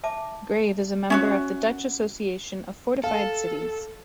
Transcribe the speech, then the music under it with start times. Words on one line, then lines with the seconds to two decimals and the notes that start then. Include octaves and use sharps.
Grave is a member of the Dutch Association of Fortified Cities.
0.04 E5 A5 D6
1.10 C#4 E4 F#4 E5
3.04 A4 F5